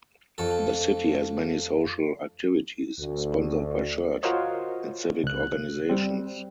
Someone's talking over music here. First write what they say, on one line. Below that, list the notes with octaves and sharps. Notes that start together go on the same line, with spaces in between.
The city has many social activities sponsored by church and civic organizations.
F2 A4
D2
F4 F#4 A#4 C5 C#5 D#5
C#2 F#6
G3 C4